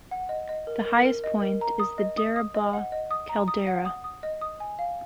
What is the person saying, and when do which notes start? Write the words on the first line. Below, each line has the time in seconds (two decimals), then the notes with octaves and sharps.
The highest point is Deriba Caldera.
0.11 F#5
0.29 D#5
0.49 D#5
0.67 A#4
0.85 A#4
1.05 A#4
1.24 D#5
1.42 A#4
1.61 A#5
1.80 D#6
1.98 D#5
2.18 D#6
2.36 D#6
2.54 D#5
2.73 F#5
2.92 D#5
3.11 D#6
3.29 A#5
3.48 D#6
3.67 F#5
3.85 D#6
4.04 D#6
4.23 D#5
4.41 D#6
4.60 G#5
4.79 F5